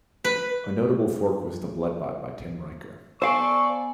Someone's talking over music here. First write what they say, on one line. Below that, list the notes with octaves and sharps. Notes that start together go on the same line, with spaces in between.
A notable fork was blootbot by Tim Riker.
B4
B3 A4 C5 D5 F5 G#5 C#6